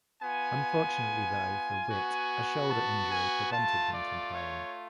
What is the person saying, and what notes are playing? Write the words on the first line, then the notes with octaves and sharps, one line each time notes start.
Unfortunately though for Witt, a shoulder injury prevented him from playing.
B3 F4 G#5
B3 F#4
A5
G#5
A3 F4 A5
D5
C#5